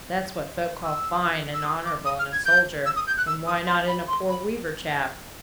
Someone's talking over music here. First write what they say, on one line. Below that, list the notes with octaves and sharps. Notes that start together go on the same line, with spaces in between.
That's what folk call fine and honourable in a soldier, and why not in a poor weaver-chap?'
E6
E6
D#6
D6
D#6
F6
G#6
G6
E6
D#6
G6
F#6
E6
D#6
C6
B5
C6
B5